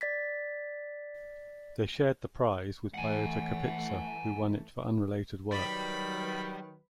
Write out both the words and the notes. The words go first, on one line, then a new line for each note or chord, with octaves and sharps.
They shared the prize with Pyotr Kapitsa, who won it for unrelated work.
D5 A6 B6
E3 A3 F#5 G#5
D#3 F#3 G3 B4 B5